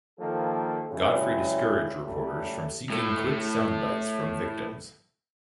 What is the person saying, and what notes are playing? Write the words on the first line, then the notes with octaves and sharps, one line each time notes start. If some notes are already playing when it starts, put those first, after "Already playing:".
Godfrey discouraged reporters from seeking quick sound bites from victims.
D#3 F3 A#3 A4
G2 C#3 F#3 G#3 E4
F#2 C#3 G3 A3
A2 A3